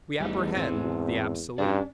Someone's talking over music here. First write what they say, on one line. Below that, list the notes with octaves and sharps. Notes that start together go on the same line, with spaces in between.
We apprehend the absolute.
E2 G3 A3 D#4
G#2 C4
G2 C#4 D5